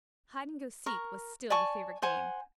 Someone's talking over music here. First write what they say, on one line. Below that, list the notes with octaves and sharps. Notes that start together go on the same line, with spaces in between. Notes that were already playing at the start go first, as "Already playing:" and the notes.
Hide-and-go-seek was still the favorite game.
A#4 C#6
D5 G#5 A5 C#6
C5 F#5 G#5